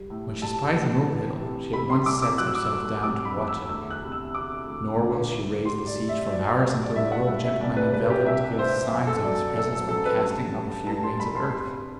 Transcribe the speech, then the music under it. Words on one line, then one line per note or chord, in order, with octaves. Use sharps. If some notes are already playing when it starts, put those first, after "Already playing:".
When she spies a mole-hill, she at once sets herself down to watch it; nor will she raise the siege for hours, until the little gentleman in velvet gives signs of his presence by casting up a few grains of earth.
Already playing: G3
A2
G3 A5
A2
E3
C3
C3 B5
C6
C2 D6
D6
F#3 F#6
E6
D6
E6
A3
C3 D6
B5
E2
E6
D2 E6
F#6
C3
E6
C3 D6
D2
D3
D3
G3 C6
D5
G3
E5
E5
F#3 D5
A3
D5
G2 E5
F#5
G2 F#5
E5
C2 D5
B4
C2 B4
G4
C2 E5
C2 C5
F#2
A4
F#3 D5
F#3 A4
A4
F#2 A4
B4
G2 A5
G2
G2 A5
C6
G2 B5
C6
B5
C3 C6